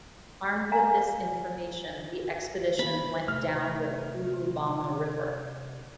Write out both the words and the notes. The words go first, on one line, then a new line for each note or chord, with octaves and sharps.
Armed with this information the expedition went down the Urubamba River.
E5 F5 G#5 A#5
B5
C3 A3 F6